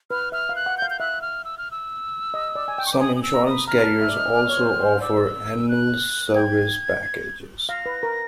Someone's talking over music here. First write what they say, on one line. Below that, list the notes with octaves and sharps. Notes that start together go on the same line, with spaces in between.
Some insurance carriers also offer annual service packages.
B4 F6
E5 F6
F5
F#6
F#5
G6
F5
G6
E5 F#6
F6
E6
F6
E6
D#5
D5
G#5
G5
C#6
D6
G#5 D#6
D#6
E6
A#5
B5 D#6
A#5 F6
A5
E5
D5
D#5
D5
C#5
C5
C5
D5 E6
F#6
G5 G#6
F5 A#6
B4
A#4